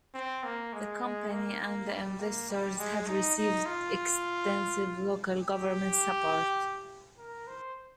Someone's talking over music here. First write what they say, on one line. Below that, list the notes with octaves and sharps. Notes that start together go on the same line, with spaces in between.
The company and the investors have received extensive local government support.
C4
A#3
G#3
G#3
A#3
A#3
G3
A#3
G3
G#3
D#4
D#4
F4
G4
A#4
C5